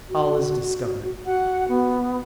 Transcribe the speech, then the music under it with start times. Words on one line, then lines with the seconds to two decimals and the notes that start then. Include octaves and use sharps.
All is discovered.
0.09 F#4
1.26 F#4 F#5
1.69 B3